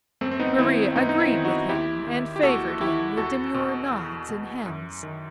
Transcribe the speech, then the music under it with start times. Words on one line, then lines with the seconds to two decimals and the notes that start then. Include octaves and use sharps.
Maria agreed with him and favoured him with demure nods and hems.
0.21 F#2 A3 C4
0.31 C4
0.40 B3 D#4
0.58 D#3 C4 E4
0.95 F#2 B3 D#4
1.09 D#4
1.20 C4 E4
1.32 D#3
1.45 D#4 F#4
1.69 D#2 E4 G4
2.07 D#3
2.36 G4
2.43 D#2 F#4 A4
2.81 D#3 E4 G4
3.17 E2 F#4 A4
3.54 B2
3.92 E2
4.29 B2
4.66 F#2
5.03 D#3